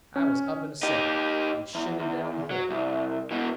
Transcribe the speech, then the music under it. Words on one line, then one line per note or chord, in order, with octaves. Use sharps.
I was up in a second and shinning down the hill.
C#4
D#4 G4
E2
E2
F#3
C2
B2 E3